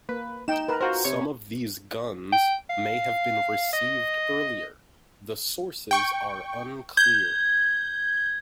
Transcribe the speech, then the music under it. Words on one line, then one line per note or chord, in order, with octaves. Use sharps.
Some of these guns may have been received earlier, the sources are unclear.
A#3 B4
D#4 G5 E7
A#4 B4
F4 F#4 A#4 C5
C3 C#5 C#6
G5
F5
D#5
G5 C#6
G6 G#6